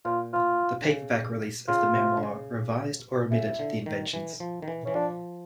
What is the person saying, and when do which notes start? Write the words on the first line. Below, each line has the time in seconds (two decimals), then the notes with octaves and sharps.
The paperback release of the memoir revised or omitted the inventions.
0.05 A#2 F4
0.33 F4
0.82 D3
0.87 C#3
1.68 C#3 F4
1.95 C3
2.17 D3
2.23 C#3
3.31 C#3 E4
3.59 D3
3.86 D#3
4.13 E3
4.40 F3
4.62 D#3
4.68 E3
4.85 E3 C#4
4.94 F3 D4